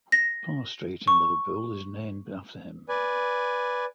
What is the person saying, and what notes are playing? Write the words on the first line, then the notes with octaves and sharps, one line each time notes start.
Parr Street in Liverpool is named after him.
A#6
C#6
B4 D5 G#5